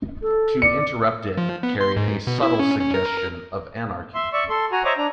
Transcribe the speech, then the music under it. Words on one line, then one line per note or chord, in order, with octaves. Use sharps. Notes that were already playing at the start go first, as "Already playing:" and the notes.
To interrupt it carried a subtle suggestion of anarchy.
A4
D5 C#7
F3
B3
C6
G#2
B2
E4
C#4
C#4
A#4
E5 C6
D5 E5 C#6
A4 C6
F#4 G#5 A#5
C5 C#5 D#5 E5 A#5 D6
D4 A#5